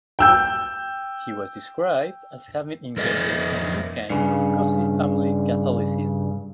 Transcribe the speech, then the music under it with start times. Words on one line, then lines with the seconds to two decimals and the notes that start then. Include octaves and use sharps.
He was described as having invented a new kind of cosy family Catholicism.
0.19 G5 E6 G6
2.97 F2 A#4 D#5 E5
4.10 G2 C#3